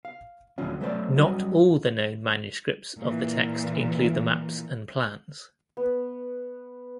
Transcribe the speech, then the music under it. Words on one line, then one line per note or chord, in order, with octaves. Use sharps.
Not all the known manuscripts of the text include the maps and plans.
F5
D2 A2 C#3 F3 F#3 C#4
F#3 A3 C#4 A#4 C5 D5
F#3 G3 C#4 D#4 F#4
A#2 E3
B3